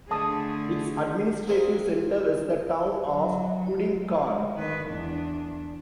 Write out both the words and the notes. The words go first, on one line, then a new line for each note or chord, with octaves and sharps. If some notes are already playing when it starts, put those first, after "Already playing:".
Its administrative center is the town of Kudymkar.
D3 A3 G#4 A5 D#6
A#3 C4 G#4
F#3
G#3
D#3 B4
E2 D4